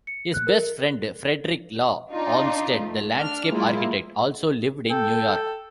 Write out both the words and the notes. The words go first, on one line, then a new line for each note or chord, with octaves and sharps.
His best friend, Frederick Law Olmsted, the landscape architect, also lived in New York.
C#7
F#6
A#4
D4 D#4 F4
A3
D4 F6
F#3 G#3 A#3 E4 F4
A4 G5